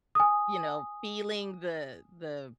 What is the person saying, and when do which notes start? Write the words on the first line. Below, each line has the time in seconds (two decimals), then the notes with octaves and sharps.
you know, feeling the the
0.15 G#5 D#6